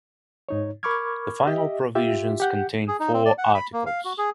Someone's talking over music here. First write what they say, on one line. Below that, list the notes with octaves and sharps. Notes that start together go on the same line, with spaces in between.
The final provisions contain four Articles.
G#2 D#4 C#5
A#4 B5 C#6 D6 F6 G#6
G4 D#5 E5
F4 G4 E5
G4 F#5 G6
G#4
D#4
C4
D5
F#5
B5
A#3
F5
F#4
G#4